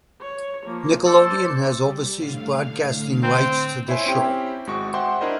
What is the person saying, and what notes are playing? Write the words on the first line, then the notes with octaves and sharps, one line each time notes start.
Nickelodeon has overseas broadcasting rights to the show.
C#5
F3 A#3
A4 C5 D5
G3
A2 D3 F5
C4
E4 C5 C#5 E5 G#5 C6
C4 C#4 E4 G4 G5
G#1 G#3 F#4 C#6
C5 E5 F#5 G5 C6 D6
D4 E4 A#4 C5 D#5